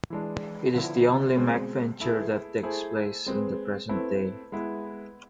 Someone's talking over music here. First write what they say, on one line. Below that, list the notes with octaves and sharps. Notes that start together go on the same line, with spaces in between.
It is the only MacVenture that takes place in the present day.
E3 G#3 D4
D3 F3 B3 E4
B2 G#3 C4
A3 E4 G#4 B4
A3 E4 G#4 C5
G#3 C4 G#4 B4
A3 C4 E4 B4
G#3 B3 E4 B4